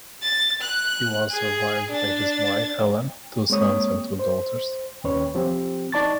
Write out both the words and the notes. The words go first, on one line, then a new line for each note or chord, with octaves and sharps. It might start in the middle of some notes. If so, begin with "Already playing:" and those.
He was survived by his wife Helen, two sons and two daughters.
A6
F#6
G#4
D4 A6
G#3 A#3 C4 C#5 D#6
C5
D#2 C#4 B4 C#5
F3 C4 G4
D#4 D5 A5 C#6 A6